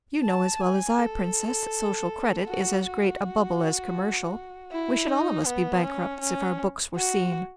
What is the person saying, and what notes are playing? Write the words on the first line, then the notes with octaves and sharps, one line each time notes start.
You know as well as I, Princess, that social credit is as great a bubble as commercial; we should all of us be bankrupts if our books were seen.
A5
G#5
A4
F#4
F#4
E4
D#4
B3
C#4
C#4
F#4